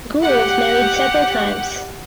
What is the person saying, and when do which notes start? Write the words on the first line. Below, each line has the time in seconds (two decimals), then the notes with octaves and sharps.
Gould married several times.
0.23 G4 F#5